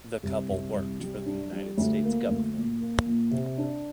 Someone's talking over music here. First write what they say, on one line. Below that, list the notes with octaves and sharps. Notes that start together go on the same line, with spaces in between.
The couple worked for the United States Government.
C2
C2
C2
G3
D4
G3
D2
A#3
D2
A#2
A#3
A#2
C3
D4